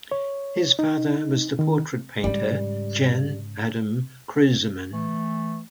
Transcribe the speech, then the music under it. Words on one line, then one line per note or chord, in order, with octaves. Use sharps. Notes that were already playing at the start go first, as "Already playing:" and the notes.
His father was the portrait painter Jan Adam Kruseman.
C#5
D#4
D#3
G#2 C#3 G3
E3 A3